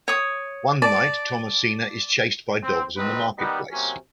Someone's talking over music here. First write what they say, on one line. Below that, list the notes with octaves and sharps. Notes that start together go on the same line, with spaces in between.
One night Thomasina is chased by dogs in the marketplace.
C#5 D#6
D5 A5
C4
A#1 B2 C4 D#4 B4
D#3 G3 B3 D#4
C3 F#3 A#3 C#4